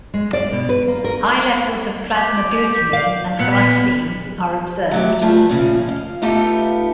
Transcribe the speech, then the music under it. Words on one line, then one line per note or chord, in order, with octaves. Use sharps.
High levels of plasma glutamine and glycine are observed.
G#3
D5
B2
B4
A#3
A#4
G4
F5
A#2 B3 F#5
B5
F#3 A3 G4
F3 G3 A3 G#4 B4
A#2 C#3 F3
F5
A3 B3 D#4 F4 G4 A4